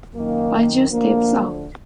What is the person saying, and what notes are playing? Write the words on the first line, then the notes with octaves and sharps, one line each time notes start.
Banjo Steps Out.
F#2 D#3 A#3
D2 D3 F3 A#3